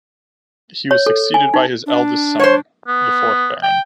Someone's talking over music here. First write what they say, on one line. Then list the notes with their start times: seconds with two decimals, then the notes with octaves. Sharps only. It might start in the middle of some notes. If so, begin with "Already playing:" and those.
He was succeeded by his eldest son, the fourth Baron.
0.91 C#5
1.06 A4
1.34 G#5
1.54 D#4
1.86 D4
2.40 C5 C#5
2.88 B3
3.63 G5